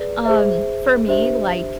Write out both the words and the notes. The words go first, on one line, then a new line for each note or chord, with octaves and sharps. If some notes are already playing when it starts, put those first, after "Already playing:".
Um, for me, like,
Already playing: G#4 B4 D5
G#4 C5 E5
D4 G4 C5 E5